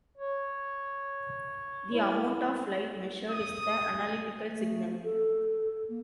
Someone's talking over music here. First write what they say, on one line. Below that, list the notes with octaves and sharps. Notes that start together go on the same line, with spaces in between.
The amount of light measured is the analytical signal.
C#5
E4
D#6
A3
A4
A#3